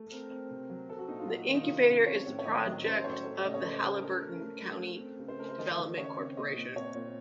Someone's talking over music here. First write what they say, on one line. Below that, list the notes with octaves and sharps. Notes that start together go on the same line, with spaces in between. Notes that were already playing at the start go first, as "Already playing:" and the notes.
The incubator is a project of the Haliburton County Development Corporation.
Already playing: A3
C4 A#4
C4
C3
F#3
C4 A4
F#4
A#2 D#4
F4
F#3 F#4
D#3 F4
D#4
C3 F4
C#4
C4 C#5
A2
C#5
D#3 D#5
F#3
C#4 C5
A2 C#5
A3
C#3 D#5
C#5
A3 C5
A3
C#4 A#4
C#4
A3
C#4
A3
C4
C#3
C5
A3 A#4
C5
D#3 D#5
D#3
C#3 C#5
C4
A#2 D#5
A#2
C4 C#5
A#2